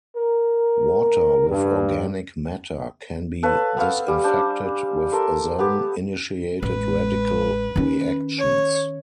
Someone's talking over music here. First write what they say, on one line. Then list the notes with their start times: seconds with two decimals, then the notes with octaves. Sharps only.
Water with organic matter can be disinfected with ozone-initiated radical reactions.
0.17 A#4
1.50 G2
3.43 A4 B4 C#5 F5
3.77 B3 C4 C#5 F5
4.08 G3 G#5
4.24 D4 C5
5.12 A4 A#4 C6
5.59 B3 G4
6.62 A1 G#3 B4
7.76 D#3 C#4
8.39 C#5